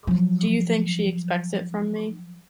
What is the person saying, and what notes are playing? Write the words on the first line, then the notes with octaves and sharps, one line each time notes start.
Do you think she expects it from me?
F3 F#3